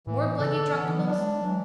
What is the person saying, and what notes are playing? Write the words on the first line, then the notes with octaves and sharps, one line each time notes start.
More bluggy drunkables?
A2 E3
C#3 A4
D3
E3 B3
F#3
D4
G#3
E3 F#3